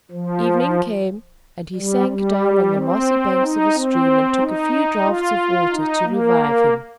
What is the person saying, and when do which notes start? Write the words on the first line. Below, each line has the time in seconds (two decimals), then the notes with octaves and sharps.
Evening came, and he sank down on the mossy banks of a stream and took a few draughts of water to revive him.
0.11 F3
1.76 G3
2.09 G3
2.75 C4
3.41 D#4
3.74 C4
4.39 D#4
5.05 F4
5.71 D#4
6.04 A#3